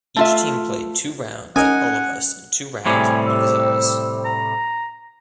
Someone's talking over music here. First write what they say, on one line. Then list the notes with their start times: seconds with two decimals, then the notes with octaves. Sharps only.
Each team played two rounds at Olivos and two rounds at Buenos Aires.
0.16 A3 F4 E5
1.56 C#4 D#4 A#4 F#5 G#5 D#6
2.85 A2 C3 G3 C5 G#5
3.27 E6
4.25 A#5